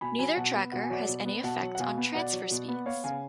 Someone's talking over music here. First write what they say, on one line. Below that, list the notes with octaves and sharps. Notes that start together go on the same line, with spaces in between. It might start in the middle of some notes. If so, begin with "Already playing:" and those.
Neither tracker has any effect on transfer speeds.
B2 G#5 B5
F#3 G#5 B5
B2 F#5 A5
B3
B2 F#5
G#5
F#3 D5 F#5
B2
B3
B2 F#5 A5
F#3
F#5
B2 F5 G#5
B3
B2 D5 F#5
F#3
B2
B3
B3 C#5 F5
C#3 F5 G#5